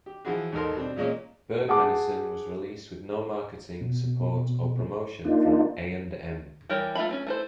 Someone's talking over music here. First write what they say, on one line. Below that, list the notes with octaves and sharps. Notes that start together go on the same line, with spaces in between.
"Bird Medicine" was released with no marketing, support or promotion from A and M.
G4
E3 F3 E4 F#4 G#4
D#2 G#2 D#4 A4 A#4 C6
B2 G3 C4 D4
A#2 G#3 A#3 C#4
G#4 F#5 A5 D6
B2
A#3 D4 D#4 F4
E3 G3 G4 A#4 C#5
A3 F4 E5 A#5 B5
A3 C4 C#4
A3 E4 C5